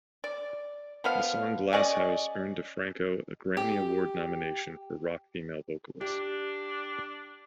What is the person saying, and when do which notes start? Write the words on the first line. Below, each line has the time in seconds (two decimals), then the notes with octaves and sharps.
The song "Glass House" earned DiFranco a Grammy Award nomination for Rock Female Vocalist.
0.24 D5
1.04 F3 B3 F5
1.73 C#4 G#4 D5 D#5
3.57 G4
6.01 D4 G4